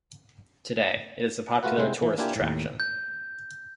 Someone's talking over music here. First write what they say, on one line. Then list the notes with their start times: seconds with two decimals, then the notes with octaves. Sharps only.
Today, it is a popular tourist attraction.
1.63 A3 F4 F#4 B4 F#5
1.78 C3 G#3 E4 C5 G5
2.02 E3
2.18 A#3 D4 E4 F4 G4 G#5
2.36 D#2 A2
2.80 G6